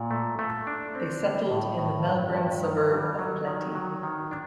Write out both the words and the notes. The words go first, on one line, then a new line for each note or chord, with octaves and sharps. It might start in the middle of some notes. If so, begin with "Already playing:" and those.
They settled in the Melbourne suburb of Plenty.
Already playing: A#2
A3
A3
D4
C4
D3
A2
A2
G2
G2
D#3
G3
F#3
D#3
F#3
D#3
D4